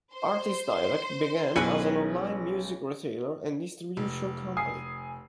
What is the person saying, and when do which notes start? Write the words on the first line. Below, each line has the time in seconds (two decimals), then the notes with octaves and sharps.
Artistdirect began as an online music retailer and distribution company.
0.14 C5 C6
1.56 B1 C#4 E4 G#4 B4 G#5 C#7
3.97 F1
4.57 G#5 D#6 C7